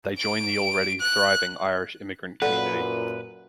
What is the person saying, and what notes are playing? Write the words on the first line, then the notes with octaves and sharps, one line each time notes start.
They joined the already thriving Irish immigrant community.
D7
F#6
F#2 A#2 A4 B4 D5 F#5